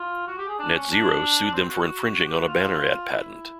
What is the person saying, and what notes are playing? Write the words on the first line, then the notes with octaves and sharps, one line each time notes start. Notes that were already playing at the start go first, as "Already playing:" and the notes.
NetZero sued them for infringing on a banner ad patent.
Already playing: F4
F#4
G4
G#4
D4
C#4
D4
C4
F#4
F#4
G4
F#4
F4
E4